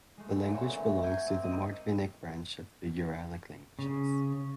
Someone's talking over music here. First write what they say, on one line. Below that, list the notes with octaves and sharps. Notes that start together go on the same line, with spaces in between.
The language belongs to the Mordvinic branch of the Uralic languages.
G#3 A3
A#2 D3 E3
C4 C#5 E5
F#3 G#5 G6
A#3 C4
D#5
C#3